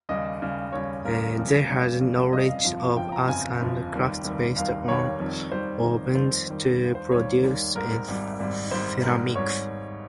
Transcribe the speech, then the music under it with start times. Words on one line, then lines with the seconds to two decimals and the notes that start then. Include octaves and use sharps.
They had a knowledge of arts and crafts based on ovens to produce ceramics.
0.09 D#2 C#3 G3 D#5
0.41 D#2 C#3 G3
0.72 D#2 C#3 G3 C#5
1.04 D#2 C#3 G3 A#4
1.37 F2 C#3 G3
1.69 F2 C#3 G3
2.01 F2 C#3 G3
2.32 F2 C#3 G3 D#5
2.49 F5
2.64 G1 F2 C#3 F3
2.96 G1 F2 C#3 F3 G5
3.12 A#5
3.28 G1 F2 C#3 F3 G#5
3.60 G1 F2 C#3 F3
3.92 F1 D#2 D#3 G3
4.24 F1 D#2 D#3 G3
4.56 F1 D#2 D#3 G3 F5
4.88 F1 D#2 D#3 G3 C#5
5.20 F2 D#3 G3
5.52 F2 D#3 G3 C5
5.84 F2 D#3 G3
6.15 F2 D#3 G3 C5
6.47 D#2 D#3 G3
6.79 D#2 D#3 G3
6.95 C5
7.11 D#2 D#3 G3 C#5
7.43 D#2 D#3 G3
7.75 G#1 G#2 G3 A#4
8.08 G#1 G#2 G3
8.40 G#1 G#2 G3
8.71 G#1 G#2 G3 C5
9.03 G#1 G#2 G3 A#4
9.35 G#1 G#2 G3 C#5